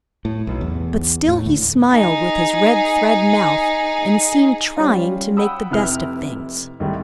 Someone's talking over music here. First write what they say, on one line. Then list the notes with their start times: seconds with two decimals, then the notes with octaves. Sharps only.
But still he smiled with his red-thread mouth and seemed trying to make the best of things.
0.25 A2
0.47 B1
0.61 E2
1.28 A2
1.46 D2
1.91 D#4 G#4
4.77 G3 C#4 F4
5.37 F#5 G5 B5 D#6 E6
5.71 F1 C3 E4 B4 F6
6.80 C2 G#2 D#3 G3 A3